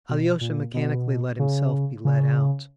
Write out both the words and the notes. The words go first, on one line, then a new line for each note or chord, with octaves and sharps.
Alyosha mechanically let himself be led out.
B2
A#2
B2
C#3
C#3